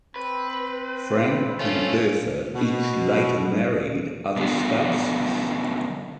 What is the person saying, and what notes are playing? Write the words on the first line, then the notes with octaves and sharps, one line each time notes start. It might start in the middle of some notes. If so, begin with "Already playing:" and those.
Frank and Bertha each later married other spouses.
C4 B4
A3 C#4 F4
B2
F#2 B2 D3 B3 F4